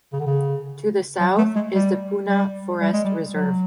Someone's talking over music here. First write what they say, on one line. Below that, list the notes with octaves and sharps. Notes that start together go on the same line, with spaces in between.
To the south is the Puna Forest Reserve.
C#3
D3
C#3
F#3
A3
G#3
G3
G3
G3
G#3
G3
F#3